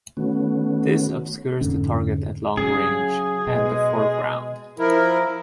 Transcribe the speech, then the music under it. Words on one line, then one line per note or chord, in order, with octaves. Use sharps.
This obscures the target at long range and the foreground.
D#3 A3 B3 C#4 F#4
F2 G#2 D3 C#4
C#3 F#3 G#4
B2 G#3 D#5
F3 E4 A#4